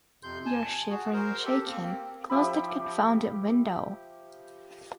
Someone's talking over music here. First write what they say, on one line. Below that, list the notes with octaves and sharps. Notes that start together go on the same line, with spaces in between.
You’re shivering and shaking; close that confounded window!
F2 C3 C6 G6
G#5 A5
F#4 G#4
A#4 C5
G4 A4
A#3 C4
F3 G4 E5 B5